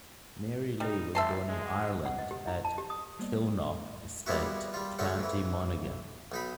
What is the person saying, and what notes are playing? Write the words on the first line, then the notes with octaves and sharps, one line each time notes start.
Mary Lee was born in Ireland at Kilknock Estate, county Monaghan.
G3 D#4
G1 E5 A5 C6
G#3
F#5
D#5
G4
E4
A5
G4
D#6
G3 A#3 B3 C5 D5 D#5
G3 G#3 A#3 B3 E4 F#4
G3 F4
D3 F#3 G#3 A3 C#4
F2 E3
B1 D#4 B5